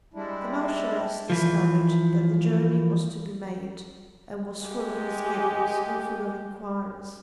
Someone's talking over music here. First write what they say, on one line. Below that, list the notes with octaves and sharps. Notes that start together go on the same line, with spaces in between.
The Marchioness discovered that the journey was to be made, and was full of misgivings and full of enquiries.
G3 G#3 D4 E4
E3 F3
G#3 G4